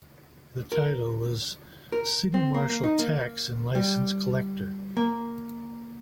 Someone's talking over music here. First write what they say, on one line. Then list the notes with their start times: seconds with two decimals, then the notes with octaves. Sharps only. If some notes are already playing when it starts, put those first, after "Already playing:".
The title was City Marshal, Tax and Licence Collector.
0.72 A#4
1.92 A#4
2.34 C4
2.54 A#3
2.70 A#3
2.84 D#4
2.99 A#3
3.75 G3
4.97 A#3